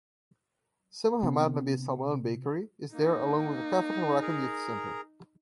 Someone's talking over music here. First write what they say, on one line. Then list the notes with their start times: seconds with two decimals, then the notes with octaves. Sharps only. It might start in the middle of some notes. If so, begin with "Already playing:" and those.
Sama Ahmad Nabil Salman Bakery is there along with the Kafr Zarqan Youth Center.
1.23 C3 B3 C4 D4
2.94 A#3 D#4
4.22 G#4 A#4 A#5